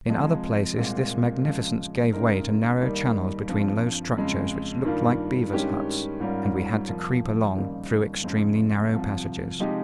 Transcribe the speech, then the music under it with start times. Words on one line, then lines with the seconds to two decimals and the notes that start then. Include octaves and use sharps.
In other places this magnificence gave way to narrow channels between low structures which looked like beaver's huts, and we had to creep along through extremely narrow passages.
0.08 C3 F3 G#3
0.76 C2 A#2 G#3 C4
1.44 C#3 F3 G#3
2.13 C#3 G#3 D#4 A#4
2.80 D#2 D#3 G3 A#3 D#4
3.48 G2 F3 C4
4.17 F2 C#3 G#3
4.84 G2 D#3 G3 A#3 F4
5.52 G2 D#3 G#3 C#4 G4
6.20 G#2 G3 C#4 F4 A#4
6.88 F2 C3 F3 A#3
7.56 D#2 C#3 G3 A#3 D#4
8.24 F2 C#3 G#3 C4
8.92 C2 C3 F3
9.60 C3 F3 G#3 D#4 G4